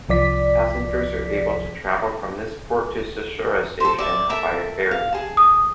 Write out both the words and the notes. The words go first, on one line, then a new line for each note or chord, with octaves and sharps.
Passengers are able to travel from this port to Tsuchiura Station via ferry.
C2 F3 D5 B6
A4 C5
D5 E5
A4 A#4 E5
F5
G#4 A5
D#6